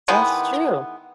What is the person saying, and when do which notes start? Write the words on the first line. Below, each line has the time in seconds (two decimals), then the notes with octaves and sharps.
That's true.
0.08 D#3 E3 G#3 B3